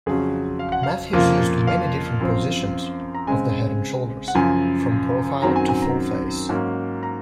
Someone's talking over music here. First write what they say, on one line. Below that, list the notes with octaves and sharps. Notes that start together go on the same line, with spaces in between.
Matthews used many different positions of the head and shoulders, from profile to full-face.
F2 C#3 F#3 C#4 G#4
F5
F#5
F5
F2 C#3 F3 A#3 F4
F5
F#2 F3 C4
A#5
C#3 G#3 C4 G#5
F#5
F#2 C#3 F3 G#5
F#2 D#3 F#3 C4 A#5
G#5
G#5
A#5
G#2 F#3 A#3 C#4
A#5